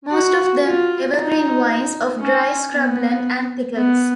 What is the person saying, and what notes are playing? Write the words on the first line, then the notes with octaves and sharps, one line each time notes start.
Most of them evergreen vines of dry scrubland and thickets.
F#4
F4
D#4
C#4
B3
B3